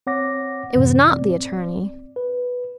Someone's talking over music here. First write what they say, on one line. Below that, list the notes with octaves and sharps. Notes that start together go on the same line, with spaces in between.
It was not the attorney.
C4 C#5 F#5 D6 A#6
F#2 A2 C3 E3
C4 D5
B4